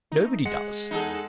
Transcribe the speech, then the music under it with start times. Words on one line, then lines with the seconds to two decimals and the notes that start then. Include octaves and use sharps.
Nobody does.
0.12 A3 D#4
0.45 G#3 F#5 C#7
0.91 E2 D#4 G#4 A4 F#5